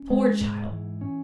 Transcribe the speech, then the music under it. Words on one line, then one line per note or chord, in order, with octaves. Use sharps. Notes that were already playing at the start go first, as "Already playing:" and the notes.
Poor child!
Already playing: C#4
G#3
G#2
E3
C#4